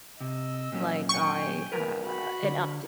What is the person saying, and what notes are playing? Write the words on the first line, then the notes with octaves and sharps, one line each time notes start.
like, I, uh an update.
C3 D#5 E6
A#2 F#3 C#4
G5 G#5 C#6
A#4 B4
F#4 B5
D3